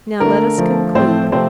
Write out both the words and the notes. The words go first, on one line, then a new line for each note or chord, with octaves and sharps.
Now let us conclude.
D3 A3 A#4
D3 F3 A3
A2 F3 A3 C4 C5
C3 F3 A3 C4 C5